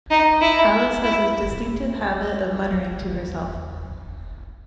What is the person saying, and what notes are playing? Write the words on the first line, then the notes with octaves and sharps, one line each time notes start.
Alice has a distinctive habit of muttering to herself.
D#4
E4
E4